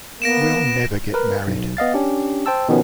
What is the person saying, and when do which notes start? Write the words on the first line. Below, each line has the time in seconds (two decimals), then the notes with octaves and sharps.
We'll never get married.
0.22 A#3 B3 A#6 D7 E7
1.14 A#4 B4
1.47 B1
1.77 B3 D#5 F5 A6
1.94 C#4 D4 G4
2.46 C5 G5 A5 E6
2.69 B2 D#3 F3 B3 C#4